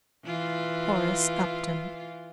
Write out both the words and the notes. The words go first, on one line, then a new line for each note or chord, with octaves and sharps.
Horace Upton.
E3 F4